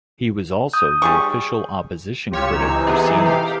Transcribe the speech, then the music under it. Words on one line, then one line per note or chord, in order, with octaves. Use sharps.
He was also the Official Opposition Critic for Seniors.
D#6 G6
G3 G#4 C#6
C#2 F4 G4 C#5 E6
C3 E3 D#4
B3 C4 G#4
G#4 A4
G4 F5